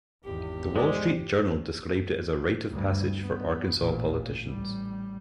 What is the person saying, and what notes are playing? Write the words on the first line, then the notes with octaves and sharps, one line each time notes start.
"The Wall Street Journal" described it as a "rite of passage" for Arkansas politicians.
G#1 E2 G4
G#3 C5 D5
D2 G2
B3
A1 A#2
A1 G3